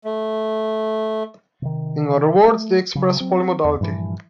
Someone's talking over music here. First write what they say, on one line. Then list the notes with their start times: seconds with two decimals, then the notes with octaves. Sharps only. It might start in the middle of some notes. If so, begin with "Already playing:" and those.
In other words, they express polymodality.
0.05 A3
1.62 C3 D#3
2.48 A3
2.95 C#3 F#3
3.20 F#3 C4
3.64 E2
3.80 G2 A#2 E3 F3